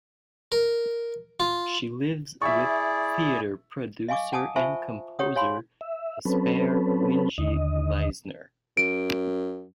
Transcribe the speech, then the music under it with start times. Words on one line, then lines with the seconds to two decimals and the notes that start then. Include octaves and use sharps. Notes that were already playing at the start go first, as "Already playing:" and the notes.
She lives with theatre producer and composer Jesper Winge Leisner.
0.52 A#4
1.40 F4
2.42 E4 G#4 D5 E5 C#6
4.08 D#5 F5 G#5 C#6 D6
4.33 F#5 G#5 A5 D6 D#6
4.56 F4 C5 E5 G#5 A5 C#6
5.19 G4 C#5 F#5 D#6
5.36 C#5 F5 G#5 B5 C6
5.81 E5
6.25 F#3 C4 C#4 A4 B4
7.38 D#2 D3 D#5
8.77 F#2 D7